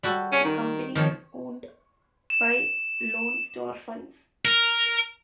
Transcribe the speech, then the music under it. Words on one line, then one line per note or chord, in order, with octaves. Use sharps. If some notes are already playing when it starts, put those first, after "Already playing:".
The company is owned by Lone Star Funds.
G3 F#4 A4
C#4
D#3
D#3 F3 C#5
E7
A#4